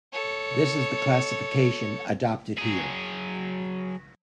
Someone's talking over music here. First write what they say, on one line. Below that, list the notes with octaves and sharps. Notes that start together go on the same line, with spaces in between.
This is the classification adopted here.
A4 C#5
F#3 G#4